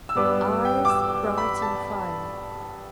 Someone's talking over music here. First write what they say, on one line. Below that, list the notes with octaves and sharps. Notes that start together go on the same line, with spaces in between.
EYES--Bright and fiery.
E6
G2 G3 B3 D4 D6
G5
D6
E6
D6
B5
A5